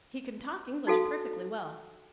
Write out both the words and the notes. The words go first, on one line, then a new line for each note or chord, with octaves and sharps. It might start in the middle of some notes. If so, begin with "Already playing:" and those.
He could talk English perfectly well.
D#4 F#4 A4 F5